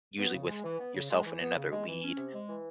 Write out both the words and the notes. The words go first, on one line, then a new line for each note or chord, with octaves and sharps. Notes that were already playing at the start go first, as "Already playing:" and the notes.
usually with yourself and another lead.
B3
C#3
G#3
E3
B3
C#3
G#3
E3
B3
C#3
G#3
E3
C#4
C3
G#3
E3